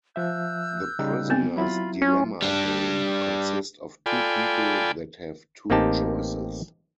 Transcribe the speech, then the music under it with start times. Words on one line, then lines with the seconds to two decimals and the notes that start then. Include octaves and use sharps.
The Prisoner's Dilemma game consist of two people that have two choices.
0.16 F3 E5 E6 F#6 G6
0.99 C#3 G3 D#4
1.30 B3 C4
1.56 F#3 E4 F4 B5
2.02 C#4 F4
2.42 G3 D4
4.06 F4 A4 D5 G5 G#5 B5
5.70 A1 A#3 C4 D#4 G4 A5